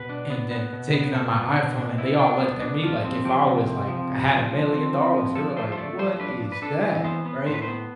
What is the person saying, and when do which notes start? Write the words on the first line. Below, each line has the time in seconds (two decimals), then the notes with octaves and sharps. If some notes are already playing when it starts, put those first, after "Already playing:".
and then taking out my iPhone and they all looked at me, like, if I was like I had a million dollars. They were like, "What is that?" Right,
Already playing: B2 B4
0.09 D4
0.30 B3
0.51 B3
0.73 B2
0.93 B3
1.15 B2 A4
1.35 B2 F4
1.56 B2
1.77 B2 D4
1.98 B3 E4
2.19 D4
2.41 B3
2.62 D4
2.83 F3 F4
3.05 C4
3.25 F3 G4
3.46 C3
3.67 C4
3.88 F3
4.10 C3
4.30 F3
4.51 F3
4.73 C4
4.93 C4
5.15 F3
5.35 F3 A4
5.56 A3 C5
5.72 C5
5.78 A3 D5
5.99 F3 C5
6.20 D4 B4
6.41 D4
6.52 B4
6.62 D4 A4
6.83 E3
7.04 B3 C5
7.25 B3
7.47 A2 C5
7.54 B4
7.62 C5
7.68 B3